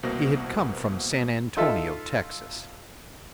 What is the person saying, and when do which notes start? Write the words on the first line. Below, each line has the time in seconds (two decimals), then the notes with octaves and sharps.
He had come from San Antonio, Texas.
0.03 C2 B2 A#3 F#4 C5 A#6
1.57 D#4 F4 A4 E5